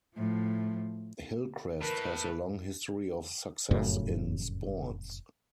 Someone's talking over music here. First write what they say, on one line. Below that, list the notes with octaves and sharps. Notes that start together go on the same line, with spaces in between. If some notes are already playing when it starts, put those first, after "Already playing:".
Hillcrest has a long history of success in sports.
A2 F3
A2 A#4 B4
F1 F#2 A2 C#3